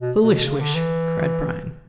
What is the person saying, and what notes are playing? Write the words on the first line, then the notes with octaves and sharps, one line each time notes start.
"A foolish wish," cried Bryan.
B2
B2
B2
C#3
D3
E3